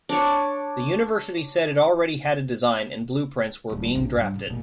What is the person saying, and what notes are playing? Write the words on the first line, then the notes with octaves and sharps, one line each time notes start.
The university said it already had a design, and blueprints were being drafted.
D4 C#5
D#1 A2
A#1 C3
G2
C#3
A1 A#2